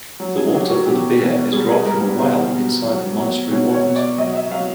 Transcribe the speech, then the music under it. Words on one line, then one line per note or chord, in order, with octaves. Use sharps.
The water for the beer is drawn from a well inside the monastery walls.
F#3
G#4
F#3 G4
F#4
B2 G4
B2
G3 G#4
G#4
G3 A#4
B4
B2 C5
B2
F#3
F#3
B2 C#5
C#5
B2
D5
F#3 D#5
E5
F#3 F5